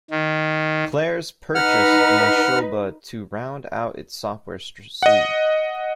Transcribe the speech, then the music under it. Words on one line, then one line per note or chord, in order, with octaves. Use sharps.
Claris purchased Nashoba to round out its software suite.
D#3
D#4 B4 F#5 F6
D#5 F#5